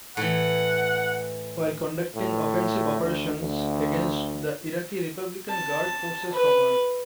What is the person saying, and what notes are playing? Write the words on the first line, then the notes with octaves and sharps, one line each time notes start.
While conducting offensive operations against the Iraqi Republican Guard Forces Command.
A2 E3 F#5
A2
D2
D2
A5
B4